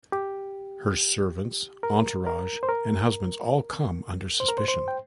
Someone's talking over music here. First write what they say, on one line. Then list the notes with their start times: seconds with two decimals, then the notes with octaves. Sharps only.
Her servants, entourage and husbands all come under suspicion.
0.12 G4
1.83 A#4
2.27 A#4
2.63 C5
2.69 A#4
4.40 C5
4.48 A#4
4.58 C5
4.68 C5
4.88 G5